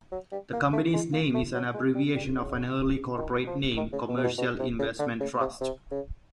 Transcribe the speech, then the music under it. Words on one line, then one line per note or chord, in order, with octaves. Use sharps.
The company's name is an abbreviation of an early corporate name, Commercial Investment Trust.
F#3
G3
A#3
A3
G#3
A#3
A3
F#3
G#3
G3
G3
C#3
D#3
F3
D#3
C#3
B2
C3
B2
B2
C3
C#3
D3
C#3
C3
C3
C#3